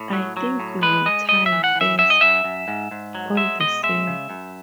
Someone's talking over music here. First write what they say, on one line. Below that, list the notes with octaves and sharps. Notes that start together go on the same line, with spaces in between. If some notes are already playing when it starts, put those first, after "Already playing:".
I think you will tire first, all the same.
Already playing: A2
F#3
F#3
A2
G#3 B4
G#3 D#5
A2 D#5
E5
E3
F#5
E3
E5
F#2 E5
D#5
F#2 E5
F#2
G#2
G#2
F#3
G#3 E5
B2 D#5
G#3 E5
C#3
F#2